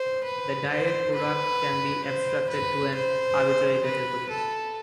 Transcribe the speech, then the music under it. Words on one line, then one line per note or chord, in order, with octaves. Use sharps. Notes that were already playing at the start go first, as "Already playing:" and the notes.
The direct product can be abstracted to an arbitrary category.
Already playing: C5
B4
C5
B4
C5
B4
C5
B4
A4